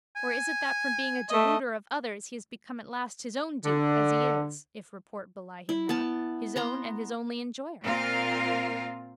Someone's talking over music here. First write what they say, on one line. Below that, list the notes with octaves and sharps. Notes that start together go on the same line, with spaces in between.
Or is it that from being a deluder of others he has become at last his own dupe as he is, if report belie him not, his own and his only enjoyer?
G#5
A3 D#5
D3
E4
B3 A5
B3 A#5 C6
A#2 C4 F4 A#4 F5